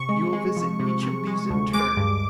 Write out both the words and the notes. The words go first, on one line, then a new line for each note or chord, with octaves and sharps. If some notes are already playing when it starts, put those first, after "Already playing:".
"You will visit each of these in turn."
Already playing: C3 C#6
G#3
G#3
F3
C3
C3
G#3
D2
G#3 D6
G2